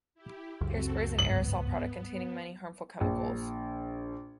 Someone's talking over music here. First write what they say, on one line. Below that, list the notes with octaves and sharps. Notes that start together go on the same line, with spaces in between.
Hairspray is an aerosol product containing many harmful chemicals.
E4 G4
C#2 F#2 C4 F#4 A4
G1 D2 G#2 B3 F#7
A#1